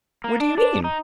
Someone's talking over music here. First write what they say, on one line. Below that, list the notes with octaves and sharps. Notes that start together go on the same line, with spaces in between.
"What do you mean?"
A#3
D4
D4
D#4